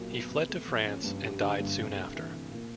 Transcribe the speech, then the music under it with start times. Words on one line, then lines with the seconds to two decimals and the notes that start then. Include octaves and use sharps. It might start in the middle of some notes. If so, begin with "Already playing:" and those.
He fled to France and died soon after.
Already playing: B1 A#2 F#3
0.12 B3
0.30 C3
0.49 A3
0.68 F3
0.86 C#4
1.04 G2
1.23 G3
1.41 D3
1.60 G2
1.77 C3
1.96 A3
2.15 E3
2.32 C3
2.51 A#2